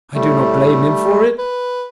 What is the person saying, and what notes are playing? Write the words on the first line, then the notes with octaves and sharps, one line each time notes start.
'I do not blame him for it.
A2 G3 A3
B4